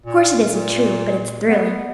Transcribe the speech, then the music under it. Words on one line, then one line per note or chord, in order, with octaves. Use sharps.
"Of course it isn't true, but it's thrilling."
A#2
A#2
B3